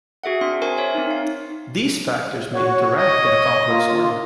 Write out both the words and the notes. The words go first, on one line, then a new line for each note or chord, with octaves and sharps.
These factors may interact in a complex way.
F#4 G#4 E5 F#5
C4 D4 C6
A#4 C5 G#5 C6 C#6
C#5 E5 G#5
C4 D#4
D#4 F5
F#4 C#5
C#5 D#5
A#3 F4